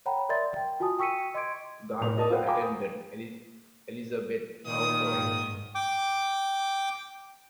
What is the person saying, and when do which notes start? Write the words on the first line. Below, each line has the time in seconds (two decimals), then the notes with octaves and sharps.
Garber attended Elizabethtown College.
0.06 C#5 F#5 G5 A#5 B5
0.29 A#4 D5 E5 C6 A6
0.56 G5
0.80 F4 F#4 G#5 A5 D#6
0.99 G5 C#6 E6 B6 C#7 D#7
1.34 D#5 C6 D6 G#6 D7
2.01 A2 F7
2.16 D5 D#5 A5 D#6
2.30 F4 A4 B4 C5 F#5 G5
2.46 F5 G5 G#5 A#5 B5 D6
2.62 D#6
4.66 A#2 D#3 D#6
5.14 G#2
5.75 G5 D6